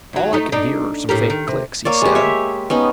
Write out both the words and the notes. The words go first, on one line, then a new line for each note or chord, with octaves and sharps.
"All I can hear are some faint clicks," he said.
D#2 F#3
A3 D#4
D4 D#4
A2 G4 A#4
D#3
C3
A#3 C#5 D5
G#3 G4
C#5 E5
B3 C#4 D#4